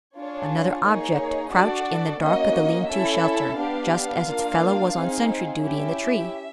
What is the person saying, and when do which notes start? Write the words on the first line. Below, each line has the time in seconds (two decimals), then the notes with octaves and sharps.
Another object crouched in the dark of the lean-to shelter, just as its fellow was on sentry duty in the tree!
0.16 D4 F4 G#4 C#5
0.84 A#3 D#4 G#4 C#5
1.53 D4 F#4 A4 D5
2.21 A#3 C#4 F#4 D#5
2.89 C#4 E4 A4 E5
3.58 B3 D4 G4 F5
4.26 A#3 D4 F4
4.95 C4 D#4 G#4
5.63 C#4 E4 G4 E5